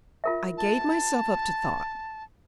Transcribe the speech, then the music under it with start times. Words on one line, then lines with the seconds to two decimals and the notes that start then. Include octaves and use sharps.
I gave myself up to thought.
0.24 F4 A#4 E5
0.58 A5